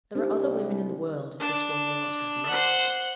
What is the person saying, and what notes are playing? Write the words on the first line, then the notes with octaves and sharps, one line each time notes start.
'There are other women in the world, if this one will not have you.'
C2 C4 D4 D#4 G4
D4
C5 F#5